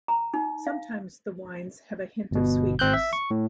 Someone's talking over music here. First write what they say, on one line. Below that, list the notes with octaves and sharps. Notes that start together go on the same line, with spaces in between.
Sometimes the wines have a hint of sweetness.
A#5
D#4
F5
G1 B2
G#1 C4 F#6 G6
E5
C#6
A2